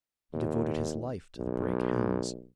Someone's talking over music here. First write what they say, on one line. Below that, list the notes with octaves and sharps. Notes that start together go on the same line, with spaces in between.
He devoted his life to the Brake Hounds.
D#2
B1